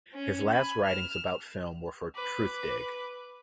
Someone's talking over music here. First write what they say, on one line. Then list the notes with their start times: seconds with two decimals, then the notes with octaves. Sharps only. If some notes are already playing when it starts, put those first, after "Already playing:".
His last writings about film were for Truthdig.
0.14 C#4
0.52 G#5 B5
0.84 F6 E7
2.15 B4 D6